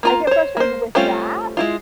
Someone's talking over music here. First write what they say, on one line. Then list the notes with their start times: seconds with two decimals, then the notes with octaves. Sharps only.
I get frustrated with that,
0.03 A#3 F4 A#5
0.27 C5 C#5
0.57 A#3 C5
0.95 G3 A3 C4 C#4 F4
1.57 G#3 E4 F4